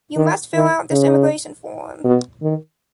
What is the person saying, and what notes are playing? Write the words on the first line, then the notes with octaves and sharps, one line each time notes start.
You must fill out this immigration form.
D#3
D#3
C#3
B2
D#3